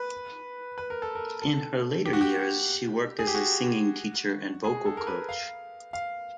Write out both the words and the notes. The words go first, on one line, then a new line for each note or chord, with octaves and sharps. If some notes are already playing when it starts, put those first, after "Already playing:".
In her later years she worked as a singing teacher and vocal coach.
Already playing: B4
B4
A#4
A4
A#4
A4
G4
F#4
G4
G#4
G4
F#4
G#4
A4
A#4
B4
F5
F5